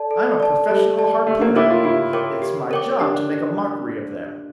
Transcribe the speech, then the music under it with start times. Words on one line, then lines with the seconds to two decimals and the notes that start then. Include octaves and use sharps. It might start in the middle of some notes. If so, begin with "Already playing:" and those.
"I'm a professional harpooner! It's my job to make a mockery of them!"
Already playing: A4 D5 A5
0.11 A4
0.40 D5 A5
0.69 G3 A4
0.97 D5 A5
1.27 A3 G4
1.41 A#3
1.55 E4 A#4 C#5 G5 D6
1.70 F4
1.84 E4 G4
2.13 A#4 C#5 G5 D6
2.42 G4
2.71 A#4 C#5 G5 D6
3.00 D4 G4